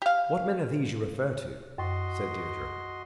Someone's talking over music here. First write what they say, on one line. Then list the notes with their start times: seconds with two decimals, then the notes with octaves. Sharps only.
"What men are these you refer to?" said Deirdre.
0.02 G4 F5
1.78 F#2 F#4 D#5 C6